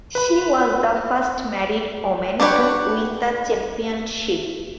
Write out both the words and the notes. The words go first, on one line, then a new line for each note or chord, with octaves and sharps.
She was the first married woman to win the championship.
B4 B5
D4 F#4 G4 B4 C#5